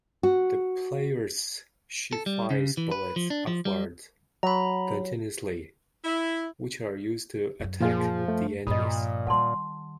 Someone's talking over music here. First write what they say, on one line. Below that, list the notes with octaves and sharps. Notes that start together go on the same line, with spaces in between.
The player's ship fires bullets upwards continuously, which are used to attack the enemies.
F#4
A4
G3
C#3
E3
B4
F3
D4
F3
G3
F#3 A#5 B5
E4
F#2 F#3
A#2 F3 F4 G#4
A3
G2 A#2 F3 D#5 B5 D#6
D#3 G3 F#5 A5 C6